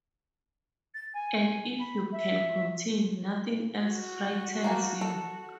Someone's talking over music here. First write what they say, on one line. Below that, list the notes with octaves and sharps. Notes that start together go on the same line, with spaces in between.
And if you can continue, nothing else frightens you.
A6
G#5
B5
E5
F#4
A3 A#3 G#5
A4